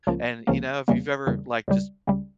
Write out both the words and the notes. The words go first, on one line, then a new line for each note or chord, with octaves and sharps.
and, you know, if you've ever, like, just
C#2 C#3 F3 A#3
C#2 C#3 F3 A#3
E2 C#3 G3 A#3
E2 C#3 G3 A#3
C#2 C#3 G3
C#2 C#3 G3